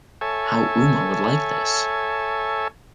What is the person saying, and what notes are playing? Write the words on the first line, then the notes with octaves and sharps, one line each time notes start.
How Uma would like this!
A4 C#5 E5 G#5